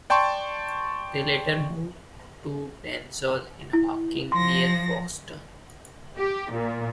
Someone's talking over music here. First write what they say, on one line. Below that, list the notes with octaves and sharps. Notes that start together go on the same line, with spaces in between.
They later moved to Densole in Hawkinge near Folkestone.
D5 G5 A5 C6 C#6
E4
F3 C6 A#6
G4
A#2